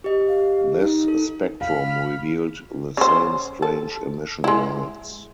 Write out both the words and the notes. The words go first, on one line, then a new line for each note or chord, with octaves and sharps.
This spectrum revealed the same strange emission lines.
G4 D#5
F5
D#4
A4
F5 B5 F6
C#3 C5
A4
G#3 E4